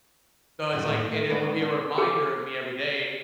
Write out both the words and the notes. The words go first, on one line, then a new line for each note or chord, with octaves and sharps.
So, it's, like and it would be a reminder of me every day
F#2 D#3 F#3 G3 G4
D#2 A2 A#4
A3
D3 G#3 B4 D5 A5
D4
G#4